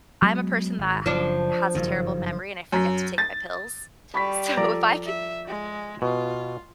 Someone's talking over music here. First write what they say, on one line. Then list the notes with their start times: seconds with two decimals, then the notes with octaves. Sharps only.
I'm a person that has a terrible memory, and I forget to take my pills. So, if I could have
0.22 F#3 G#3 B3
0.79 G#1
1.06 F#1 C#3 F3 D4
1.75 F#1 G2 D#3
2.72 F#2
3.18 A6
4.14 G3 B5 C#6 B6
4.57 F3 A4 D5 A#5
5.06 E5
5.48 G#3
6.02 B2 F4